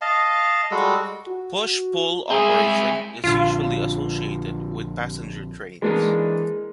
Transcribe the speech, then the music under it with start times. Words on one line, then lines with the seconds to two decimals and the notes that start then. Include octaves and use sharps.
Push-pull operation is usually associated with passenger trains.
0.01 D#5 F5 A5
0.71 G3 G#3 F#4 A4
1.26 F#4
2.30 G#3 C4 E4 G#4 G#5
3.24 A#1 D3 F4
5.82 E3 G#3 A#3 D4 D#4